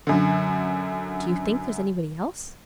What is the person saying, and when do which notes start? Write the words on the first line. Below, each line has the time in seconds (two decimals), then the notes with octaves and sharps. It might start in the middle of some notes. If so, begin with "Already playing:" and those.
'Do you think there's any one else?'
0.07 F#2 D3